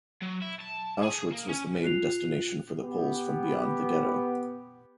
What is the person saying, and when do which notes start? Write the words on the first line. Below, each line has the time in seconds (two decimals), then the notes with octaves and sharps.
Auschwitz was the main destination for the Poles from beyond the ghetto.
0.22 F#3
0.42 E4
0.60 A5
1.03 G#4
1.32 A#3
1.49 C#4
1.82 F4 F#6 C7 F7
2.81 B3 G4